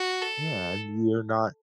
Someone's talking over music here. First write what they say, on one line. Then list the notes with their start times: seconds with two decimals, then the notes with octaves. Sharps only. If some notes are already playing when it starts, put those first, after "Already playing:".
Yeah, and you are not
Already playing: F#4
0.22 A4